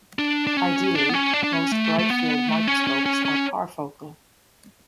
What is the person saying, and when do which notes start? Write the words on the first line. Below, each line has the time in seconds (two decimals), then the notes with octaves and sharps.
Ideally, most bright-field microscopes are parfocal.
0.19 D4
0.47 D4
0.57 C#4
0.95 D4
1.09 B3
1.14 C#4
1.34 D4
1.44 D4
1.52 C#4
1.72 A3
1.99 A3
2.10 B3
2.49 A3
2.67 C#4
2.87 C#4
3.06 C#4
3.25 C#4